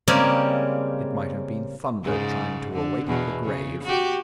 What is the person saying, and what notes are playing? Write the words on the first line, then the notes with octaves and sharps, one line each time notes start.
It might have been thunder trying to awake the grave.
C#3 G3 G#3 A#3 C4 C#4
G#2 C#3
D3
E2 B2
C#3
F#4 G4